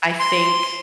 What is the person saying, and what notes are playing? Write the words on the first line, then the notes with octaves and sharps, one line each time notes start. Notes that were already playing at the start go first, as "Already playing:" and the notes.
I think
C6